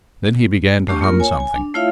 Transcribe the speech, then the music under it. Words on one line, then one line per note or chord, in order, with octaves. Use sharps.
Then he began to hum something.
A3 D4 G4 C#6
A#3 F4 A#4
C#5 G#5
G#5
D4
A3 E4 F4 C#5 E5 F5